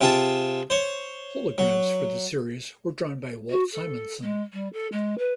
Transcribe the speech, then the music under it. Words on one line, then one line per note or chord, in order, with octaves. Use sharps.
Holograms for the series were drawn by Walt Simonson.
C3 C4 F4 G#4 A5
C5 C#5
F#3
F#4
A4
G#3
G3
A4
G#3
B4